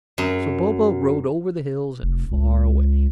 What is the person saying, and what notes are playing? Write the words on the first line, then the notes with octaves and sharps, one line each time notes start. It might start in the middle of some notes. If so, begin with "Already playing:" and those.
So Bobo rode over the hills and far away.
F#2
F1
C#2